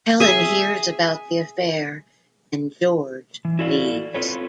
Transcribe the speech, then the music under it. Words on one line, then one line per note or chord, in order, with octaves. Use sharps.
Helen hears about the affair and George leaves.
G#4 E5
E3
E4 F#4 A4 D5 F5
C4 F4 A4 B4 C#5